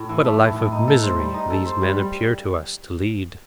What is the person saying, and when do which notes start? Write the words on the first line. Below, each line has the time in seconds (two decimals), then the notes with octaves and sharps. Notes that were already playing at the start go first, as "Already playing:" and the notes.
What a life of misery these men appear to us to lead!
Already playing: A2
0.09 E3
0.25 A3
0.40 A2
0.56 A2
0.72 D#4
0.88 A4
1.03 C5
1.19 G3
1.34 D#4
1.50 A4
1.66 C5
1.82 G3
1.98 G3